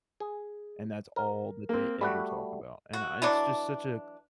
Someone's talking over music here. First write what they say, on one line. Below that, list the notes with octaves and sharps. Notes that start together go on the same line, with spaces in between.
and that's all that they ever talk about. And I it's just such a
G#4
A#4
A#3 C4
G3 A3 F#4 B5
F#4
E3 F#3 A3 D4